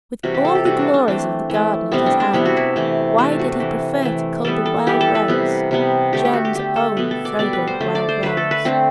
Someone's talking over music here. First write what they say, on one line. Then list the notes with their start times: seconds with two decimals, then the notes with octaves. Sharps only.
With all the glories of the garden at his hand, why did he prefer to cull the wild-rose,--Jem's own fragrant wild-rose?
0.23 C3 E3 G3 F#4
0.34 G4
0.45 A4
0.55 G4
0.65 C3 E3 G3 F#4
0.79 D4
0.94 D4
1.08 E3 A3 C4
1.50 E3 A3
1.92 C3 G3 B3 C4
2.06 D4
2.20 D4
2.33 C3 G3 B3 E4
2.45 F#4
2.57 E4
2.76 C3 E3 A3
3.18 C3 E3 A3 D4
3.39 F#4
3.60 E3 A3
4.02 E3 A3
4.45 E3 G3 B3 A4
4.66 A4
4.87 E3 G3 B3 G4
5.01 A4
5.15 B4
5.28 C3 G3 B3
5.71 C3 G3 B3
6.13 D3 A3 G4
6.25 G4
6.33 F#4
6.45 G4
6.55 D3 A3 G4
6.76 A4
6.97 B2 G3 B3 B4
7.11 A4
7.25 D5
7.39 B2 G3 B3 D5
7.53 B4
7.67 C5
7.81 D3 A3
7.95 D5
8.09 C5
8.23 D3 A3 B4
8.37 A4
8.51 B4
8.65 D3 A3 C4